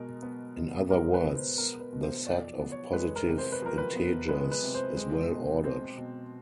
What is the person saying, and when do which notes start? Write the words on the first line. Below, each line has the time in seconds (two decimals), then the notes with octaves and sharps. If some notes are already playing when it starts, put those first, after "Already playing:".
In other words, the set of positive integers is well-ordered.
Already playing: B2 G#3 A#4
0.23 B3
0.57 B2
0.91 G#3 A#4
1.14 B4
1.24 B2
1.36 C5
1.58 B3 A#4
1.80 B4
1.93 B2
2.03 C5
2.27 F3 D5
2.59 B3
2.72 C#5
2.93 G#3 B4
3.16 A#4
3.27 C3
3.38 C5
3.52 B4
3.62 F3 A#4
3.78 B4
3.96 B3
4.29 G#3 B4
4.51 B4
4.63 C3
4.75 C5
4.97 G#3
5.30 B2
5.64 C4
5.98 B2